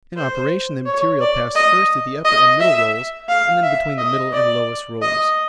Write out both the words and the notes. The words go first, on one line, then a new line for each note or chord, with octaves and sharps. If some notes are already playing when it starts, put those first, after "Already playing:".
In operation the material passed first through the upper and middle rolls, and then between the middle and lowest rolls.
C5
C#5
D5
D#5
D#5
E5
F5
E5
D#5
D5
D#5